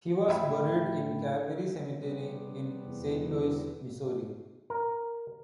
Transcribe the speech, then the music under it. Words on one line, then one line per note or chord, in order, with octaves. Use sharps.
He was buried in Calvary Cemetery in Saint Louis, Missouri.
A2 E4 E5 G5 B5
C3 G3 B3
E2
A#4